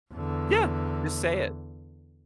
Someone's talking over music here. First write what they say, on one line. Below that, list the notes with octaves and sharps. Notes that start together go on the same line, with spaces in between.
Yeah. Just say it.
E2 D3